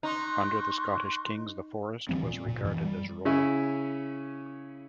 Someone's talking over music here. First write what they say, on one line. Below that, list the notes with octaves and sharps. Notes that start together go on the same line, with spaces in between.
Under the Scottish kings the forest was regarded as Royal.
D#4 C6 C#6 F#6
D2 E3 G3 C4
A#2
A#2
F#2 E3
G3
C#3 C#4 E4